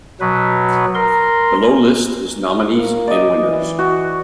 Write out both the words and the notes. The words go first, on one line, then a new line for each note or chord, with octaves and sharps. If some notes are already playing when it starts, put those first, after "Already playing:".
Below list is nominees and winners.
B2 F#3 B4
A#4 C6
A#3
D5 D#5
E3
F#4